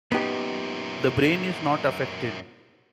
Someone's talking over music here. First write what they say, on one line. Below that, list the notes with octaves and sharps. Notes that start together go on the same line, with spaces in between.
The brain is not affected.
F#2 A#2 B3 D#4 G4